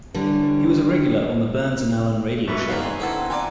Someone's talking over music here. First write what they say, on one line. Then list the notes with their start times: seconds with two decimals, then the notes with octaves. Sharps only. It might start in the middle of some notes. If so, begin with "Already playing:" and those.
He was a regular on the Burns and Allen radio show.
0.14 D3 E3 G3 C#4
2.48 G#2 B2 B4 E5 C#6
2.69 E2 D#3 G#3 A#3 F5
2.83 C4 G#5
3.00 D3 A#3 B3 E4 A4
3.30 E3 F4 A#4 D5 G#5